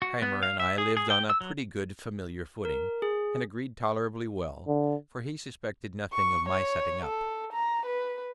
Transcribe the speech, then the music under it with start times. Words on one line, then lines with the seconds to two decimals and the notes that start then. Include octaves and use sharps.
Keimer and I liv'd on a pretty good familiar footing, and agreed tolerably well, for he suspected nothing of my setting up.
0.02 F#4
0.22 B3
0.43 F5
0.60 E5
0.78 G#4
0.97 G#4
1.10 G5
1.30 E6
1.41 F#3
2.65 A#4
3.02 G#4
4.67 D3
6.13 C#6
6.49 C#5
7.05 A4
7.53 A#5
7.86 B4